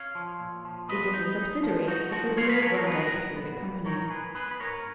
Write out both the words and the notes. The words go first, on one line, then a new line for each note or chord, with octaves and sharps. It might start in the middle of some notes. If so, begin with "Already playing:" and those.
It is a subsidiary of the Rio Grande Pacific Company.
Already playing: C#5 F5
F3
A#2
F3
B3 B4 D#5
D#4
D#4
F3
D#4 F#4
F3 F#4
D#4 C#5 F5
B4 D#5
F3 A#4 C#5
A#4 C#5
B3 G#4 B4
F#4 A#4
A#2
B3
A#2
D#4 A#4 C#5
G#2 G#4 B4
B3 G#4 B4
B4
G#2 A#4 C#5